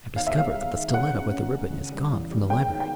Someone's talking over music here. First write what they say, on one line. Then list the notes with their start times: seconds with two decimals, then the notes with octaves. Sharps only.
"I have discovered that the stiletto with the ribbon is gone from the library."
0.16 D#3 F5
0.27 E5
0.35 G#3 F5
0.55 G#3
0.75 D#3
0.94 G#3 F#5
1.14 C#4
1.33 C#4
1.53 C#4
1.72 C#3
1.92 G3
2.12 E2
2.31 G3
2.50 G#3 G5
2.69 D#3
2.80 G5